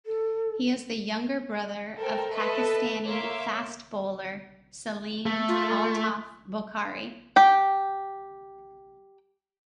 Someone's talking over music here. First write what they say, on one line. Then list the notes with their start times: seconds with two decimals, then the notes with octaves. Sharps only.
He is the younger brother of Pakistani fast bowler Saleem Altaf Bokhari.
0.06 A4
1.97 A4 A#4 C5 G5
2.32 A4 B4 D#5 E5
3.07 A#3 C#5 E5 C6 D6
5.26 A3
5.48 F4
7.36 G4 G5